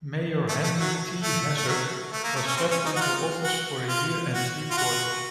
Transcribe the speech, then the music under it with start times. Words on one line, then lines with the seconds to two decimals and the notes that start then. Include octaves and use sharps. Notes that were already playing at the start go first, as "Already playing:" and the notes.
Mayor Henry T. Hazard was swept into office for a year and three quarters.
0.49 A3
0.64 A3
0.79 F#3
1.23 A3
1.57 A3
1.68 F#3
2.12 A3
2.24 A#3
2.36 A3
2.47 C#4
2.57 C4
2.71 C#4
2.86 D#4
2.96 F#4
3.00 F4
3.44 F#4
3.89 F4
4.33 F#4
4.71 F4
4.78 F#4